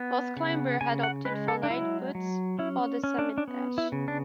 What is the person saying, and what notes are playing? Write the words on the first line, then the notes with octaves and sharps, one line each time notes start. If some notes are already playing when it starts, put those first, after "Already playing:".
Both climbers had opted for light boots for the summit dash.
Already playing: B3
C#3
C#3 G#5
F#5
G#3 B4
A4
D4
F#3 E4
F#3
C#4 E4
C#4
D4
D4
B3
E4
C#3
D4